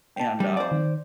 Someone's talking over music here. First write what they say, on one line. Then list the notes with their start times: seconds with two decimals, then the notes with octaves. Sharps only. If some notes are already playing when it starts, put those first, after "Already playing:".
and, um,
0.16 G5 A5
0.40 G3
0.57 C5 D5
0.71 D#3